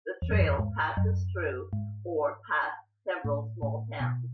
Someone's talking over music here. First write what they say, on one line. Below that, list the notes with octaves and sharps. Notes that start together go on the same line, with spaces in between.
The trail passes through or past several small towns.
E2
F#2
E2
G#2
F#2
G#2
A2
A2
B2